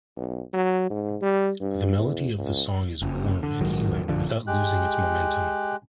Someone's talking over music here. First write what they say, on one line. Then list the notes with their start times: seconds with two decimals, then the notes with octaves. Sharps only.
The melody of the song is warm and healing without losing its momentum.
0.17 B1
0.53 F#3
0.90 G#2
1.22 G3
1.61 G2
1.98 E2
2.38 C#2
3.02 F#1
3.43 D3
3.61 A#1 G#2 D#3 F#3
4.08 A#1 D3 F3
4.47 G#3 G4 F#6